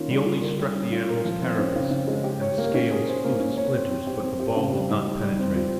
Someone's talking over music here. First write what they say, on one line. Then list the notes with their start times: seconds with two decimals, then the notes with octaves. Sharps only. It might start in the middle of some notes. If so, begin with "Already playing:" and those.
He only struck the animal's carapace, and the scales flew to splinters but the ball did not penetrate.
Already playing: D#3 A#3 C#4 F4
0.10 G3
0.26 F4
0.42 A#4
0.59 G3
0.75 C#4
0.92 F4
1.09 A#4
1.25 F3
1.42 C4
1.58 C#4
1.75 C#3
1.91 C#3
2.08 G#3
2.24 G4
2.41 C#5
2.58 A#3
2.74 C#4
2.91 G#4
3.07 C5
3.24 A#3
3.40 C#4
3.57 C#5
3.73 C4
3.91 C4
4.07 G4
4.23 C4
4.40 G4
4.56 C#3
4.73 G3
4.89 D#4
5.06 G3
5.23 G3
5.39 C4
5.55 F4